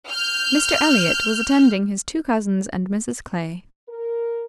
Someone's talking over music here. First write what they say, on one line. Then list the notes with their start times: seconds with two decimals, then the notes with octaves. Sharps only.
Mr Elliot was attending his two cousins and Mrs Clay.
0.10 F6 G6
3.88 A#4